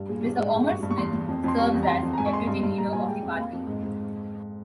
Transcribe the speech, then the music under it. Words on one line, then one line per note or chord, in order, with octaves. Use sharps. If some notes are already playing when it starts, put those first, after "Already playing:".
Mr. Omar Smith serves as Deputy Leader of the party.
Already playing: G2
A#2 G#4
A#2 G4
G#2 G#4
G#2 G5
G2 C#6
G2
C#6
E2 C6
E2
F2
F2 C6
G3 C#6
E2
A#5
F2 C6
F2
A#5
G#2 G#5
C#6
G#2 C6
G2 C6
G2
A#2 A#5
A#2 G#5
G#3 G5
F2
A#3 F5
F2
G#2
G#2